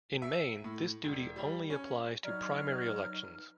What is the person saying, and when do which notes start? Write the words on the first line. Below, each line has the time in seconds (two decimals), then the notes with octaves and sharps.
In Maine, this duty "only" applies to primary elections.
0.22 E5
0.64 A2
1.04 E1
1.36 G3
1.70 C#4
2.24 F#3 D#4 B4 D5 D#5 A#5 F6